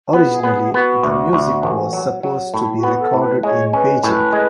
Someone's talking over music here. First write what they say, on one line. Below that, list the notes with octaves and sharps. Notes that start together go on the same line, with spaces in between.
Originally the music was supposed to be recorded in Beijing.
B3
G#4
B3
G#4
B3 F#4
D2
D2
A1
F#3
F#3
A2 E4
F#4
B3
A4
A2
B4
G#3 C#5
C#4 B4
A2 B4
G#3